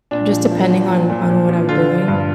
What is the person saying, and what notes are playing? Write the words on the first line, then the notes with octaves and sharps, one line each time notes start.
just depending on on what I'm doing.
A#2 D4
F3
F3
F3
A#2
A#2
F3
F3
D3 F4
D3
G2